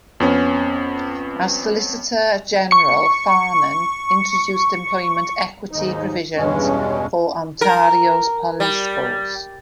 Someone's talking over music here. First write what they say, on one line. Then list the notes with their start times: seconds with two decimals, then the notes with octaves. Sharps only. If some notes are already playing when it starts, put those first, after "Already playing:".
As Solicitor-General, Farnan introduced employment equity provisions for Ontario's police force.
0.20 F2 B3 C#4
2.71 C#6 C#7
5.71 D#2 G#2 D#4
6.36 E2 G2 B2 G#3 C#4
7.61 A#4
8.60 G3